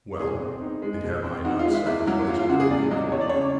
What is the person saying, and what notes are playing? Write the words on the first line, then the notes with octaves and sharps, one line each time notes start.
"Well, and have I not sacrificed everything for it?"
B2 G#4
C4
D#4
G#3
B2
C4
D#4 F#4
F4
G#3
E4
E2 E4
F#3
E2 F4
F4
C#3 F#4
G#4
E2 D5
F#3 D#5
E2 C#5
D5
C#3 C#5